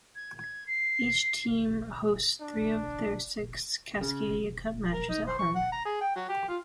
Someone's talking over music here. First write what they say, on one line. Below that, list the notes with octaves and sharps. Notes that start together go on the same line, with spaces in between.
Each team hosts three of their six Cascadia Cup matches at home.
G#6
G#6
C7
D4
C#3
A#4
D#4
C5
C#6
F#5
A#5
G#4
G5
F#3
G4
F4